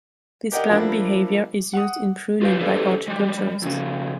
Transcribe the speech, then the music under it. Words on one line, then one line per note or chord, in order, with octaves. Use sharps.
This plant behavior is used in pruning by horticulturists.
G4 A#4 D5 D#5 F#5
F3 G3 A#3 D4 E4
F#5 D#6
F4 G4 B4 E5 F5
E4 G4 A4 B4 C5 D5
G3 G#3
F2 C#3